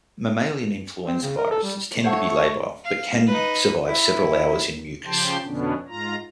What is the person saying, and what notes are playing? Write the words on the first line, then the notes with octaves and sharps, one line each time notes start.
Mammalian influenza viruses tend to be labile, but can survive several hours in mucus.
C4
C#3
A#4
A4
G3
A3 C5 C#5 F5 F#5
F5
D#4 B4
E4
C#3 F3 G4 G5 A5 C6
F2 B2 D3 B3 C#4 D4
G#2 F4 A#5